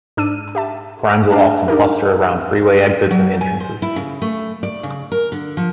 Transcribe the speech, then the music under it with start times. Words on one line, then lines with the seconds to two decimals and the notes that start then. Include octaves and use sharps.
Crimes will often cluster around freeway exits and entrances.
0.17 G#2 D4 E6 D#7
0.55 G4 E5 A5
1.32 D4 F5 A5
1.68 D4 D#4 G4 A#4
3.11 F#3
3.41 G#5
3.60 C5
3.82 E4
3.96 C#3
4.22 A3
4.63 D5
4.83 C#3
5.12 A#4
5.32 D3
5.57 F3